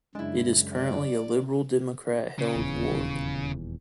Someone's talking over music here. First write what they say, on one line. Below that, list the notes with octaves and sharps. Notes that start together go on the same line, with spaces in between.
It is currently a Liberal Democrat held ward.
F#2 C#3 G#3 D4 E4
D5
C#3
D#1 E2